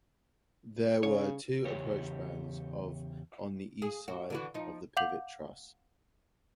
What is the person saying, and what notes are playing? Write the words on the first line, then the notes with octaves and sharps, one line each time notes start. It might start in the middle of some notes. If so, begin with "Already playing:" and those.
There were two approach spans of on the east side of the pivot truss.
C#3 C#5
E2 C#3 G4 C#5
G#4
F#4
D3 E3 F#4
F3 D#4
F5 F#5 D6 G6 F7 F#7